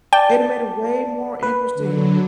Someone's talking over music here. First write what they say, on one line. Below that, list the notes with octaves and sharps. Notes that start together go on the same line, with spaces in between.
it'd a made it way more interesting
D5 G5 A5
B4
D3 F#3